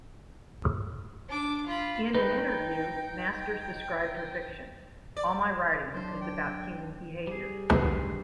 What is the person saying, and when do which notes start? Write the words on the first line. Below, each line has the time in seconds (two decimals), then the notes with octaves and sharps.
In an interview, Masters described her fiction: All my writing is about human behaviour.
1.28 D4 D6
1.66 F4 B5
2.15 D#4 B4 G5
5.17 D5
5.94 F#3 D4 C5
6.21 G5
7.27 G3 G#4
7.71 C#2 B2 F#4 B4
7.84 D2 D#3